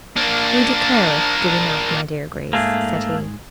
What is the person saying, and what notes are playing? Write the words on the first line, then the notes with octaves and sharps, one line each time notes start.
"We declare it, do we not, my dear Grace?" said he.
A#3 D4
G#2 A3 A#3 G#4